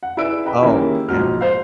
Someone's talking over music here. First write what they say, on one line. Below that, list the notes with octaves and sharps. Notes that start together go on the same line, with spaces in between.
Oh, yeah.
F#5
E4 G#4 B4 D5 E6 D7
B4 D#5 G5 B5
D#3 G#3 A#3 C#4 E4 G4
E1 A#1 G#2 F#4 F6
C5 F5